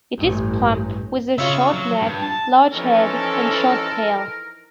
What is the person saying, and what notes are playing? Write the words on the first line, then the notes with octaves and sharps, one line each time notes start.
It is plump, with a short neck, large head, and short tail.
A1 G2
C#3 F4 C#5 E5
F#3
G2
A5
E3 F3 C#4 D#4 A4 A#4